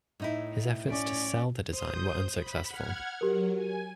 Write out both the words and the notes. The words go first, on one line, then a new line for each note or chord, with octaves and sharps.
His efforts to "sell" the design were unsuccessful.
A2 D#4 E4
C#4 D5
C5 D#6 G6
B5
F#5 F6 G#6
F#3 G4 A#4
G#5